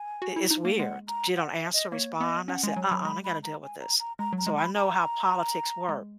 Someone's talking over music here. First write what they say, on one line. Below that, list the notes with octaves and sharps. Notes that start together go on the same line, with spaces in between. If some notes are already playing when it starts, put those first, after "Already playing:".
it it's weird. She don't answer, respond. I said, "Uh-uh, not gonna deal with this." So I know how politics work.
Already playing: G#5
F#4
E4
D#4
A#3
G#3 F#5
A#5
F#5
E5
D#5
A#3 C#5
B3 D#5
C#4 F#5
G#3 G#5
F#3
F#3 B5
G#3 B5
B5
A#5
G#5
A#5
A#5
G#3 A#5
F#3
A#5
G#3
B5
A#5
G#3